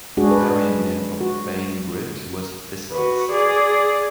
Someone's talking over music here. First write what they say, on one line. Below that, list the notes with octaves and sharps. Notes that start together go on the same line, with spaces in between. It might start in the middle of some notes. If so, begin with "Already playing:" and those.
A variant name of Bainbridge was "Bissells".
G#3 D4 F#4 G#4
B4
F#4
F#4 B4
G#4 D5